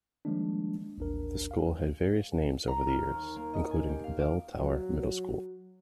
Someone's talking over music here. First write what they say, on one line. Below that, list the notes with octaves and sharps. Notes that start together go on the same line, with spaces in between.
The school had various names over the years, including Bell Tower Middle School.
D#3 F3 G3 G#3 A#3 D4
A1 D#2 D4 A#4
F5
A#5
F6
D#2
A#3
D#5
G#5
G4
F5
D6
F#3